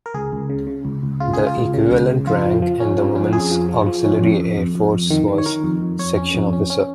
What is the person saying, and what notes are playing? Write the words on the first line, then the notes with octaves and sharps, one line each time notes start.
The equivalent rank in the Women's Auxiliary Air Force was "section officer".
A#4
C#2 G#4
C#2
C#3
C#3
C#2
C#2
C#3 F4
C#2 G#4
F4
C#2
C#3
C#2
C#3
F2 F4
F3
F3
C#4
F3
C#4
F2 G#4
F3
F3
F3
C#4
F2
F2
F2
F2
F2
D#3
D#3
C#5
D#3 A#4
F2
F2
F2 C#5
C#4
F2
C#4
C#4